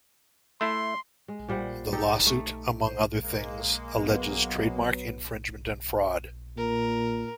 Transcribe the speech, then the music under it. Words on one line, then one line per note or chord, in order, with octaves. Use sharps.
The lawsuit, among other things, alleges trademark infringement and fraud.
A3 E4 C6
G#3
A#2 G3 C5 F#5
D#4 G4 A4 D#5
A3
C5
G#3 A#3
F#3 B3
A#2 A#4